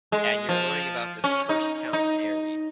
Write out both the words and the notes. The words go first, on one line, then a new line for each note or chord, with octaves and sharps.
and you're learning about this cursed town Derry.
G#3
F3
C#4
D#4
D#4